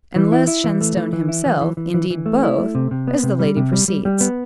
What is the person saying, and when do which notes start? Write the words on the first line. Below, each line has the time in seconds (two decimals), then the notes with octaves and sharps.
And less Shenstone himself--indeed both--as the lady proceeds.
0.16 E3
0.32 E4
0.47 E4
0.64 E3
0.81 A3
0.97 E3
1.13 E3
1.28 E4
1.46 E3
1.61 E3
1.77 E3
1.94 E3
2.10 E3
2.26 A3
2.43 E4
2.58 A3
2.75 C3
2.91 C3
3.07 B3
3.23 C3
3.39 G3
3.57 C3
3.73 G3
3.88 G3
4.05 G3
4.21 B3